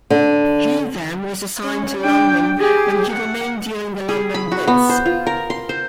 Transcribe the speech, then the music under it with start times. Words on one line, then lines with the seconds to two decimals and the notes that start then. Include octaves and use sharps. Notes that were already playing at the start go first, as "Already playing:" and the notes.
He then was assigned to London where he remained during the London blitz.
0.10 D3
1.64 C#4
2.00 D4 G5
2.58 G4 G#4
3.11 F#5
4.09 G#4
4.34 B5
4.52 F#4
4.68 B3
4.89 C5
5.06 F4
5.27 A#4
5.50 C6
5.69 C5